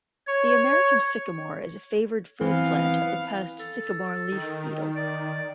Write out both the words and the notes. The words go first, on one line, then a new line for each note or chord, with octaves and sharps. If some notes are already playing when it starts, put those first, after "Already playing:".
The American sycamore is a favored food plant of the pest sycamore leaf beetle.
C#5
E3 B3 C4 F5
A4
D#3
D5